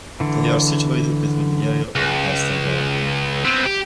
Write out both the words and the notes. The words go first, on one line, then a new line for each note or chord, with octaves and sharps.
They are situated between Yale and Boston Bar.
D3 E3
C#2
B3 C4
G4